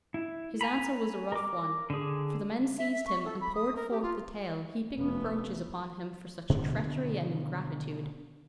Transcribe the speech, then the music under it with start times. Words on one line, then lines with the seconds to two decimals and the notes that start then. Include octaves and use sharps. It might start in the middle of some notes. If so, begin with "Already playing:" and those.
His answer was a rough one, for the men seized him and poured forth the tale, heaping reproaches upon him for such treachery and ingratitude.
0.14 E4
0.61 G#5 A#5 B5
1.32 A#4 D6
1.90 D3 G#4
2.78 E5
2.92 E5
3.07 C#6
3.25 A4
3.41 B5
3.55 D#6
3.76 A#4
3.90 G4
4.02 F4
4.98 F1 B3
6.49 B2 D3 D#3